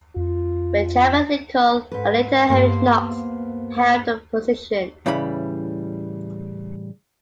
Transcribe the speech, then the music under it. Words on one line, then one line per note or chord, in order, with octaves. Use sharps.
Benjamin Lincoln and later Henry Knox held the position.
F2 F4
G#2 B4
G2 A#3 B3 C5
A2 C#3 E3 G3 B5